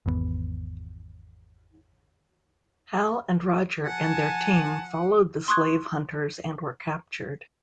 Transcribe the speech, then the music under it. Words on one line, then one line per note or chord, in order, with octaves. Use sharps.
Hal and Roger and their team followed the slave hunters and were captured.
G#1 E2 B3
F3 F#5 G#5 A5
C6 C#6 D#6 F#6 G#6